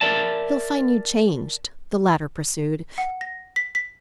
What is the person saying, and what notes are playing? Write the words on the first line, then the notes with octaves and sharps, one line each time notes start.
"He'll find you changed," the latter pursued.
A#4 D5 E5 A5
F#5
A#6
B6
B6